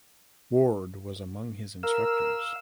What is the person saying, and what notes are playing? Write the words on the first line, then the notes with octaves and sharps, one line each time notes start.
Ward was among his instructors.
A#4 F5 E6